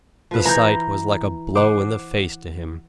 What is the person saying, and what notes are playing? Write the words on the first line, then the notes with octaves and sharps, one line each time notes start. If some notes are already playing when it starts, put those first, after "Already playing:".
The sight was like a blow in the face to him.
F3 B4
E3 A#5 G6
C5 F#5 D6